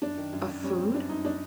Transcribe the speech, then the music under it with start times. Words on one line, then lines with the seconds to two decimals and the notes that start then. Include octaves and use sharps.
a food,
0.02 F#2 D4
0.17 D#3
0.32 F#2
0.48 F#2
0.63 G3 C#4
0.78 C4
0.94 F#2 D4
1.09 F#2 D#4
1.25 D4 D#4